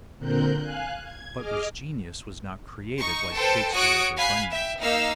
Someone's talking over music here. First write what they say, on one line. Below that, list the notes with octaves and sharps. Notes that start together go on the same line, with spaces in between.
Butler's genius was not creative like Shakespeare's or Bunyan's.
A#2 D3 C4 A#4 F#6 G6
F5 G#5 F#6
G#6
G#4 D#5 D6 F6
D#4 C#6
A4 B4 C5 G5
F#4 C#5 C#6 D#6 F#6 D7
F5 G#5 B5 F#6 C7
E5 G5
A#3 D#4 F5 E6 F6